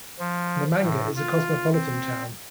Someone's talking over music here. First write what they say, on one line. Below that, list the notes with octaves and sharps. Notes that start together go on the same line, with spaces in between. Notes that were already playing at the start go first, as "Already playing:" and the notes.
Namanga is a cosmopolitan town.
F3
A2
F4
C4